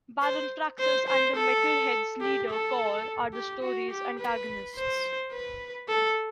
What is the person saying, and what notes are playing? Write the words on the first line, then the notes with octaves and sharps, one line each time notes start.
Baron Praxis and the Metal Heads' leader Kor are the story's antagonists.
C5
C5
C5
A4
G4
A4
G4
F#4
G4
B4
C5
B4
A4